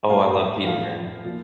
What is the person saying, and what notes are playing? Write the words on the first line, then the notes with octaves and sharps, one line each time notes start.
Oh, I love pita bread.
A2 G3 F5
E5
A2 F3 F5
A#2 F3